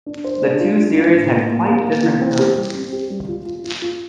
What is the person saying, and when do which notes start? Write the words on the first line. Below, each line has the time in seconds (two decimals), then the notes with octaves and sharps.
The two series had quite different tones.
0.06 D4
0.24 C5
0.42 D4
0.60 F4
0.78 D4
0.96 F4
1.14 A2
1.32 A#3
1.50 A#3
1.67 A#3
1.85 A#3
2.03 E3
2.21 C4
2.39 G4
2.57 G3
2.74 C4
2.92 G4
3.10 G3
3.28 F4
3.46 F4
3.64 F4
3.82 F4